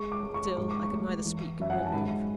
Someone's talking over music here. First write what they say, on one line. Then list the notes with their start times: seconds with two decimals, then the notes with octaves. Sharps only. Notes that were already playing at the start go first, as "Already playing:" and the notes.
Still I could neither speak nor move.
Already playing: G#3 C#6
0.12 D6
0.23 G#3
0.34 C#6
0.57 G#2 C#6
0.71 D6
0.83 C#6
0.91 A3
1.25 E3
1.60 F#2 E5
1.70 F#5
1.77 G#5
1.86 A5
1.93 G#2 B5